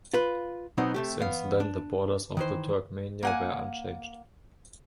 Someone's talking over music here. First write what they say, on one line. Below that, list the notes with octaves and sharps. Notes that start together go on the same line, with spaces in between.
Since then the borders of the Turkmenia were unchanged.
F4 B4
B2 F#3 B3 C4 D#4
C3 A3 G4
E2 B3 F5
D4
D#3 E3 C5
A#3 F#5 G#5